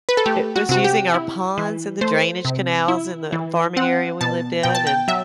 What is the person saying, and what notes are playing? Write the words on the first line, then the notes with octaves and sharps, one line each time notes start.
It was using our ponds and the drainage canals in the farming area we lived in, and
B4
A4
A3 G4
F#4
C3 F#4
G4
E4
E3
A3 C5
C3
E4
E3
C4 F#5
B2 A5
B2 G5
A5
G5
F#3 E5